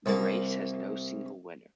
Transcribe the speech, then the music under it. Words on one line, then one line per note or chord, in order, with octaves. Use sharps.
The race has no single winner.
C2 A#3